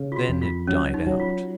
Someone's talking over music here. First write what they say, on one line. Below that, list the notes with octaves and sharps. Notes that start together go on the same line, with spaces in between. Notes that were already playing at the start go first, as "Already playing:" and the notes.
Then it died out.
Already playing: C#3
F4
F#4
F2
F4
F#3 C#4
D#4
F#3
F4